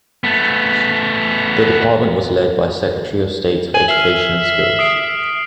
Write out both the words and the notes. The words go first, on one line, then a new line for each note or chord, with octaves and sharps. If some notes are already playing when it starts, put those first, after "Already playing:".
The department was led by Secretary of State for Education and Skills.
A3 B3
G#5 F#7
E5 F6 C7 F#7
D#6 C7 D7